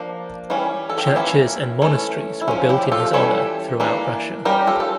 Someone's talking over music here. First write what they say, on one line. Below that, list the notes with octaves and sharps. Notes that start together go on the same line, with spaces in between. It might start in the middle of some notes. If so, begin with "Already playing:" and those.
Churches and monasteries were built in his honor throughout Russia.
Already playing: F3 A#3 D4
E3 G3 C#4
A4
G4
F4
E3 A#3 C#4 E4
E3 A3 C#4
E4
F3 C#4 F4
E4 G4
F4 A4
E3 G3 C#4 A4 C#5
E3 A#3 D4
G3 C#4 G4 A#4
F4 A4
A4